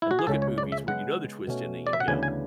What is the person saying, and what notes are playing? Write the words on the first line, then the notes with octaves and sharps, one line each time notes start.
and look at movies where you know the twist ending and go
E4
F#4
G#4
C#2 C#3 G#3 C#4 A4
C#5
D5
E5
C#3 G#3 B3 F#5
B2 A3 C#4
D5
E5
F#5
D2 C#3 E3 B3 D4 G#5
G#5